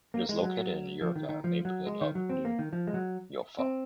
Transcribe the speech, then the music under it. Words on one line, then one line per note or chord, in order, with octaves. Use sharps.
It is located in Yerevan neighbourhood of New Julfa.
A#3
G#3
F#3
F3
D#3
D#3
F3
F#3
G#3
D#3
F#3
C4
A#3
D#3
F3
G#3
F#3
C4